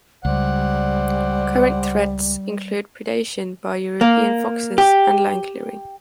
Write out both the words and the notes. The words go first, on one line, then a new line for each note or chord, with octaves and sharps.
Current threats include predation by European foxes and land clearing.
C#2 G3 C5 D5 F#5
A#3
G4